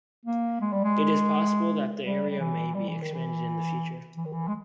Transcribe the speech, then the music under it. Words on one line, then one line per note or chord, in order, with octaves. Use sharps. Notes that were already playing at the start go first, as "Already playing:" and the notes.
It is possible that the area may be expanded in the future.
A#3
G#3
G3
G#3
G3
G3
E3
G3
E3
D#3
E3
E3
D#3
E3
G#3